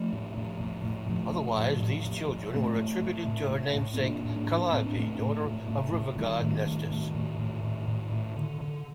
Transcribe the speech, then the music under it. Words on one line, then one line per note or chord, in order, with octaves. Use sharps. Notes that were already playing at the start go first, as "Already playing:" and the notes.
Otherwise these children were attributed to her namesake Calliope, daughter of river-god Nestus.
Already playing: F3 A3
A2
A2
A2
A2
A2 F3 A3
A2
A2
A2
A2
A2
A2 A3 C4
A2
A2
A2
A2
A2
C4
A2 A#3 D4
A2
A#3 D4
A2
A2 C4
D4
A2 A3 C4
A2
A2
A2
A2
A2 D#3 G3
A2
A2
A2
A2
A2
A2
A2
A2
D3
D3